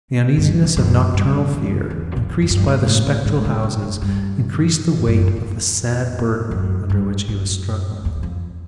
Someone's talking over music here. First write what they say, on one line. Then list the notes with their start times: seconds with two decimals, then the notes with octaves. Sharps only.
The uneasiness of nocturnal fear, increased by the spectral houses, increased the weight of the sad burden under which he was struggling.
0.38 G2
0.64 F2
0.77 F#2
1.14 G2
1.53 E2
1.90 E2
2.12 F#2
2.17 F2
2.42 G2
2.50 F#2
2.57 G2
2.68 G#2
2.86 A2
3.07 A2
3.25 G#2
3.45 G#2
3.63 F#2
3.82 F#2
4.02 G2
4.97 F#2
5.08 G2
5.17 F#2
5.37 F2
6.51 F#2
6.90 G2
7.28 F#2
8.05 E2
8.23 F2